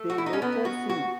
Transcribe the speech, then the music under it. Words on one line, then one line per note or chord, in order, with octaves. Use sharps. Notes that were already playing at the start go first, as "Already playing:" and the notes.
They later sued.
Already playing: A3
F#4
E4
D#4
C#4
B3
F#4
F#4